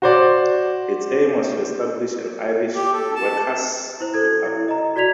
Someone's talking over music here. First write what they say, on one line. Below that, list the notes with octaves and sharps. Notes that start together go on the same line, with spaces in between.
Its aim was to establish an Irish workers' republic.
F#4 C5 D5
G4
A4
A5
E4 C5
A4 G#6
E4
D#5 A#5
F#4 D5 G#6 B6 F7